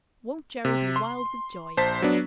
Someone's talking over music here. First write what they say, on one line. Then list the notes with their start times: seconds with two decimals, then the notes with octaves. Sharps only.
Won't Gerry be wild with joy?
0.65 C3
0.96 C6
1.77 A#1 C5 A5 B6
2.02 F#3 B3 D4